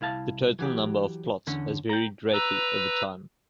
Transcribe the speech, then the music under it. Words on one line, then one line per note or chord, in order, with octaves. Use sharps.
The total number of plots has varied greatly over time.
C2 E4 F5 A5
E3 F#3 G4
E2 D3 C#4
G5 A#5
B4 A#5 E6